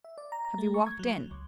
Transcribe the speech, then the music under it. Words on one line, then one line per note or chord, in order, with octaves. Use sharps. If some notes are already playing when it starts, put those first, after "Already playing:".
Have you walked in!...
E5
D5
A#5
A#5
A3
C#6
G#6
F#3
F#3
C#2